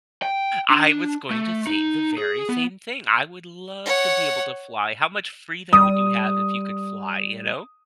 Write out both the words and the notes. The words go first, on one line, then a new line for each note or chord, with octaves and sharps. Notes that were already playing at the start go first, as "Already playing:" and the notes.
I was going to say the very same thing. I would love to be able to fly. How much freedom would you have if you could fly, you know?
G5
D4
A3
D#4
G#4
B3
C#5 F#5
G3 D#6